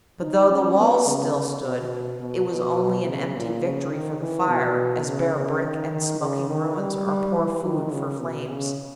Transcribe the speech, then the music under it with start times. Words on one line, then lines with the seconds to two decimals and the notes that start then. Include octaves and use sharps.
But though the walls still stood, it was only an empty victory for the fire, as bare brick and smoking ruins are poor food for flames.
0.21 D#4
0.50 C#4
0.79 B3
1.07 C#3
1.64 B2
2.20 B2
2.49 B2
3.07 C#3
3.36 A#2
3.63 C#3
3.92 D#3
4.21 E3
4.49 B2
5.07 C#3
5.35 C#3
5.64 D#3
5.92 D#3
6.21 C#3
6.49 D#3
6.77 G3
7.06 G3
7.35 E3
7.64 D#3
7.92 C#3
8.20 B2
8.49 C#3